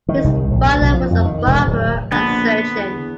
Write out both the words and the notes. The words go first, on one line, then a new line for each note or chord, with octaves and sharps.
His father was a barber and surgeon.
D#3
C2
A#1
D2
B1
F3
F2
D#3
E1
D1
A#1 D3 B3
E2